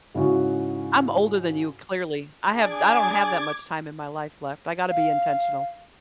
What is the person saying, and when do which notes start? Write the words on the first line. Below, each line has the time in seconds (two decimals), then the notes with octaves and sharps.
I'm older than you, clearly. I have I don't have that much time in my life left. I gotta be intentional.
0.15 G#2 C#3 E4 F#4
2.54 D4 G#4 D5 D6 G#6
4.89 F5